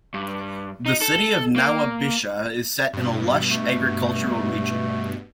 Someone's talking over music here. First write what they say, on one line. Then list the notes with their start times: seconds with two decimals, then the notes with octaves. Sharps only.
The city of Nawabshah is set in a lush agricultural region.
0.14 G2
0.86 D#4
1.01 A4
1.56 A#3
2.93 G2 B2
3.50 A3